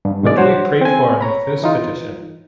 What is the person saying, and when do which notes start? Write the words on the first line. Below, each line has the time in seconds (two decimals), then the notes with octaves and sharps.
What do we pray for in the first petition?
0.05 G2
0.23 G#2 B2 G#3 D5
0.37 D4 F#4 C5 C#5
0.81 C4 G#5
1.21 C#5 A#5 B5
1.62 E3 D#4 F4